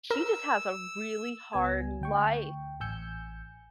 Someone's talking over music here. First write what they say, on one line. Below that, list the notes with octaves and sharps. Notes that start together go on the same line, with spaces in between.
she just has a really hard life,
A#4 E6
C#2 B3 G#5
D2 G5 C#6
A1 G#5 E6 G6 C#7